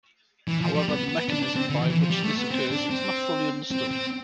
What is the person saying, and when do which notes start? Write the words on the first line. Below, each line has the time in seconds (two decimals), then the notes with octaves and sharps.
However the mechanism by which this occurs is not fully understood.
0.48 E3
0.61 F3
0.75 G3
0.89 B3
1.09 B3
1.29 D4
1.43 D4
1.56 C4
1.70 D3
1.79 E3
1.90 E3
2.00 F3
2.10 G3
2.23 A3
2.37 B3
2.51 C4
2.71 D4
2.90 C4
3.71 C4
3.91 C4